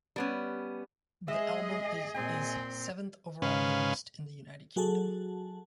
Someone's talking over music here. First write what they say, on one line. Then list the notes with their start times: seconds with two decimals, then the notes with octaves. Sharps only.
The album is his seventh overall released in the United Kingdom.
0.16 G3 B3 C#4
1.28 G#3 G#4 D#5 E5
2.15 A#2 C4 G#5
3.42 G#2 C#3 C#4 B4 F5
4.76 F#3 F#4 G#4 A4 A5